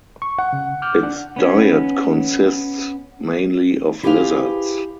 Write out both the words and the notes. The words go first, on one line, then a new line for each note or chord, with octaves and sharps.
Its diet consists mainly of lizards.
C#6
F#5
C#3
D6 F6 G6
D4 F#5
B3 C#4
E4 G4 G#4 B4 C5 F5